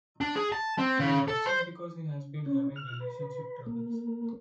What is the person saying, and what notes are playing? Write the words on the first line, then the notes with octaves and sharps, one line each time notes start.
He is upset because he has been having relationship troubles.
D4
G#4
A5
C4
C#3
A4
C5
C#4
F6
B4
A#3